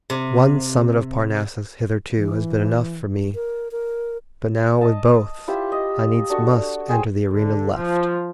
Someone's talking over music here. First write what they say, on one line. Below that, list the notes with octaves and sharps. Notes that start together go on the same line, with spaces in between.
One summit of Parnassus hitherto Has been enough for me, but now with both I needs must enter the arena left.
C3
E3
A#4
A#4
D#5 A5
E4 F4 G4 C5
D#5
D4 F#4 A4 C#6
G#4 C5 G5 G#5
D3
F3